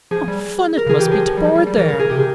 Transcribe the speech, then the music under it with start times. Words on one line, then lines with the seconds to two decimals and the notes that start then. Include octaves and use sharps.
"What fun it must be to board there!"
0.11 F3 G#4
0.28 G3
0.77 A#4
0.87 C#3 G#4
0.99 E3 G4
1.11 F3 G#4
1.27 F3
1.37 G3
1.44 F3
1.56 G3
1.67 G3
1.78 E3 A#4
1.89 A#4
1.94 C#3
1.99 G#4
2.10 C3 G4
2.19 G#4